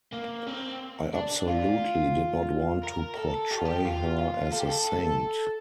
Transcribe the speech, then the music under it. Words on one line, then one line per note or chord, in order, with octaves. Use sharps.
I absolutely did not want to portray her as a saint.
A#3
C4
D4
F4
A#4
A4
G4
F4
G4
F4
F4
A4
G4
A4